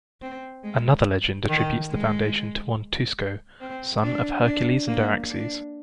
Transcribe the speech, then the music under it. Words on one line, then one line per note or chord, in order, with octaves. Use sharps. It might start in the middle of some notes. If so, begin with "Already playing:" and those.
Another legend attributes the foundation to one Tusco, son of Hercules and Araxes.
C4
G#3
D#3
G#3
C4
D4
D4
A#3
D4